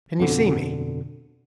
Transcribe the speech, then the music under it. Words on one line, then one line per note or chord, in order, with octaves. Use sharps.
"Can you see me?"
F2 B2 D3